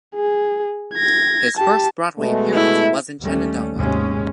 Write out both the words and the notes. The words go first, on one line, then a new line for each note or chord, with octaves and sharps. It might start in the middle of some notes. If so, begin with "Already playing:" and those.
His first Broadway appearance was in "Shenandoah".
G#4
G#6 A#6
G4 A5
B2 G#3 A3
E4
D#2 G3 A3 C#4
G#1 D#2 C3 G#3 C#4